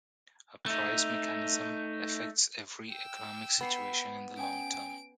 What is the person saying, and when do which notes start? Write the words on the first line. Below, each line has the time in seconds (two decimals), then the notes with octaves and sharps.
A price mechanism affects every economic situation in the long term.
0.66 A3 D#4
2.91 G5 E6
3.61 B3 B5 C7 C#7
4.38 C#4 G5 G#5 D7